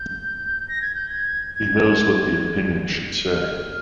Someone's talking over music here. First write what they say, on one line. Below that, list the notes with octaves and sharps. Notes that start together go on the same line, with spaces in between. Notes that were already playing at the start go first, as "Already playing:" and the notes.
He knows what the opinion should say.
Already playing: G6
A#6
G#6
G6
G#6
G#6
F6